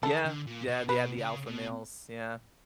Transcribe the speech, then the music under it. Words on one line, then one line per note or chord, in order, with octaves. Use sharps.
Yeah. Yeah, they have the alpha males. Yeah.
D#3 A4
D3
A#2
B2
B2 B4
C#3
B2